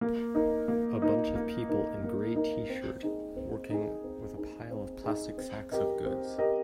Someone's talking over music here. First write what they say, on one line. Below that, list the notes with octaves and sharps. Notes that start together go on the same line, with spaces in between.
A bunch of people in gray tshirt working with a pile of plastic sacks of goods.
A#3
D#4 A#4
A#3
D#4 A#4
A#3
D#4 A#4
A#3
D#4 A#4
C4
D#4 G#4
C4
D#4 G#4
C4
D#4 G#4
C4
D#4 G#4
C4
G4 A#4 D#5
C4
G4 A#4 D#5